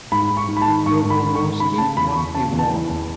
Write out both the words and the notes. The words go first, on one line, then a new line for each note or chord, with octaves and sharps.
Dobrovolsky was still warm.
G#2 B5
G#2
C#6
G#2
B5
A5
D#3
G#2 C#6
G#2
B5
D#3
C#6
G#2
C#3 B5
C#3 A5
E2 B5
E2 C#6
C#3 A5
E2
A5
E3
E2